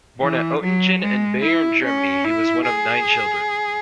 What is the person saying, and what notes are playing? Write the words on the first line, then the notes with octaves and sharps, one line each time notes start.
Born at Oettingen in Bayern, Germany, he was one of nine children.
E3
F#3
G#3
E4
C#4
E4
G#4